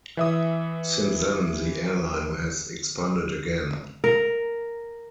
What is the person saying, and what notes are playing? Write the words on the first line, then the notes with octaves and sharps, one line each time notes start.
Since then the airline has expanded again.
E3 E5 D#6
A#4